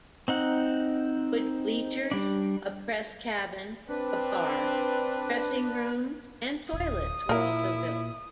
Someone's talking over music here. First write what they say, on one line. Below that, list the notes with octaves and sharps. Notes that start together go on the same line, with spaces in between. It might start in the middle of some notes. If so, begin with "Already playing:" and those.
Wood bleachers, a press cabin, a bar, dressing-rooms and toilets were also built.
C4 D#4 F#5
G3 D4
C4 D4 B4
D1 G1 D#6
A#2 A#3 E4 A#4